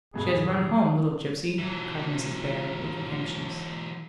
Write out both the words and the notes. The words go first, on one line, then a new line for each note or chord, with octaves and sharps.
"She has run home, little gypsy!" cried Mrs. Bhaer, looking anxious.
E2 G2 B2 G#4
E3 F#3